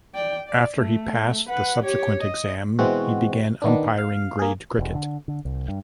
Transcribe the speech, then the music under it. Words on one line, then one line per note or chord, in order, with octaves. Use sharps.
After he passed the subsequent exam he began umpiring grade cricket.
D5 G5
D5
A3
B4 F#5
G4 C#5
D#5
B2 E3 G#3 C4 F#4
D#3 B3 D4
F5
A#3 G#4
E1
D3
D3
C2
G2